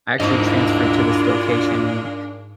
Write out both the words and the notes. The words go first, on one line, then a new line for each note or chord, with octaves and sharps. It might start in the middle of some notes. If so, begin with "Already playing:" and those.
I actually transferred to this location.
G#2 G#3 A#3 D4 E4 F4 D#5